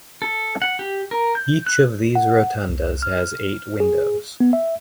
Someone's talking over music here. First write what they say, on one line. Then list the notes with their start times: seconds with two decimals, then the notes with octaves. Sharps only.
Each of these rotundas has eight windows.
0.22 A4
0.62 F#5
0.79 G4
1.11 A#4
1.35 G6
1.66 F#6
2.15 F#5
2.69 C2
3.02 F6
3.80 G#4
4.40 B3
4.53 E5